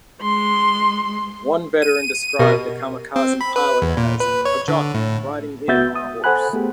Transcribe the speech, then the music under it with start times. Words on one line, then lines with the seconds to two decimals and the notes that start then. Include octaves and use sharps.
One veteran described the kamikaze pilot as: a jockey riding in on a horse.
0.21 G#3 C6
1.82 D#7
2.39 B2 G4 A#4 D#5
3.16 C4
3.41 B5
3.56 B4
3.82 E2
3.97 A#2
4.20 B4
4.45 C#5
4.68 D3
4.94 A2
5.68 C#2 B3 F#4 E5 G6 A6
5.96 D#6
6.24 A4 C5 F#5 G#5 B5 F#6
6.53 A3 B3 G4 G#4